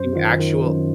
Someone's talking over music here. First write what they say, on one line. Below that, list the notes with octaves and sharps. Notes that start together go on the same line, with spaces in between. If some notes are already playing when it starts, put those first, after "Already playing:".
the actual
Already playing: F#2 C5
D#3 F4
D#3
F#2